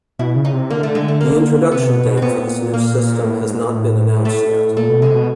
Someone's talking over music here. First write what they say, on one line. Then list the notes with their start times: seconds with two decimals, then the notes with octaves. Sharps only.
The introduction date for this new system has not been announced yet.
0.19 B2 E4
0.36 C#3
0.45 D#4
0.53 C3
0.70 D3 A#3
0.83 A3
0.95 G#3
1.08 A3
1.21 A#3
1.71 C3 B3
1.89 B2
2.06 B2
2.17 C4
2.22 B2 B3
2.30 A#2
2.38 A2
2.45 A#2
2.74 A#3
3.24 A2
3.49 G#2
3.65 A#2
3.75 A2
4.25 A3
4.77 A#2 A3
4.89 B2
5.02 C3 G#3
5.15 B2